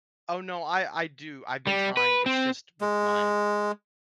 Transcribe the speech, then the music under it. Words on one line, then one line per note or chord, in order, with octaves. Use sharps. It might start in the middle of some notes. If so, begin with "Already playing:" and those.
Oh, no, I I do, I've been trying, it's just with my
G3
B4
C4
G#3